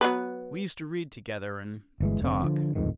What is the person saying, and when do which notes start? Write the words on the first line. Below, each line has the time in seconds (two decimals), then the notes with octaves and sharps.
We used to read together and... talk.
0.01 F#3 B3 B4
2.00 G1 E3 G#3
2.22 F1 D3 C4
2.43 D3 F3
2.75 D1 F2 G#2 D#3